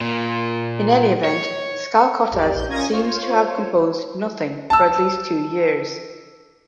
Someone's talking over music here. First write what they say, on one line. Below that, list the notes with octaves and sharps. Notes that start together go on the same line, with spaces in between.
In any event Skalkottas seems to have composed nothing for at least two years.
A#2
C#5
A1 F2 G#2 G4 D5
A#1 G6
C#4 F4 A#4 D#6 G#6 A#6
F4 C5 C#5
A5 E6